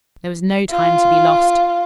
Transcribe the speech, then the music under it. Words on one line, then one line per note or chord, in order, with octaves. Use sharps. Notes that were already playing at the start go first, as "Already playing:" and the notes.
There was no time to be lost.
F4